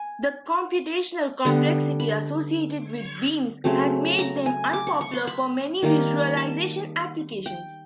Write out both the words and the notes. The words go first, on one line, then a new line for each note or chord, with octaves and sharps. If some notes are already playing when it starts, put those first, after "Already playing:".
The computational complexity associated with beams has made them unpopular for many visualization applications.
Already playing: G#5
D3 G3 B3
B5
C#3 F#3 A3 C4
A#5
G#5
D6
C#6
C#6
C6
B5
D#3 G3 A#3
A5
G5